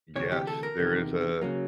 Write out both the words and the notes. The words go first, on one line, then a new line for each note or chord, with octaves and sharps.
yes, there is a
D2 C3 E3 C#5
G4
A4
A#4
E2 C3 D#3
C#3 F#3 A#3